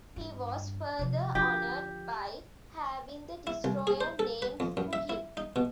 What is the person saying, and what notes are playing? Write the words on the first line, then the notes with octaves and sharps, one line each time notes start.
He was further honored by having the destroyer named for him.
G2
C3 F3
D3 F3 G4
E4
C2
G#4
C5
A4
B4
F2
F#2
E5
E4
D#4
B2